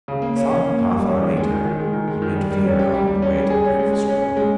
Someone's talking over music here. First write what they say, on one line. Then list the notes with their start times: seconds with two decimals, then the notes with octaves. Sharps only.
Some half-hour later he met Vera on the way to the breakfast-room.
0.08 C#3
0.22 A#3
0.36 C#4
0.51 C#4
0.64 A#3
0.79 A#3
0.93 G3
1.08 C#4
1.22 D#3
1.37 G#3
1.51 D#3
1.65 D#3
1.79 G#3
1.93 D#3
2.08 G#3
2.22 D#3
2.36 G3
2.51 G3
2.65 C#4
2.79 G4
2.94 G3
3.08 G3
3.22 C#4
3.37 G3
3.50 G#4
3.64 C#4
3.79 G#3
3.93 G#4
4.08 C#4
4.22 C#4
4.37 G#3